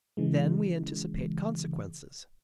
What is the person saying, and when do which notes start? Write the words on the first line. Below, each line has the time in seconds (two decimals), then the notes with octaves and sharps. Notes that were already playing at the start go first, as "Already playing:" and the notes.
Then we anticipate consequences.
0.17 C#3 E3 G#3